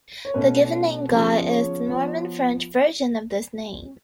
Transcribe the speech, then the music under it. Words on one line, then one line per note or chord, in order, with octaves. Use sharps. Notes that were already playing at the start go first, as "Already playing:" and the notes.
The given name Guy is the Norman-French version of this name.
C#5
B2 A3 C#4 B4
C#3 F3 B3
C#5
F3 B3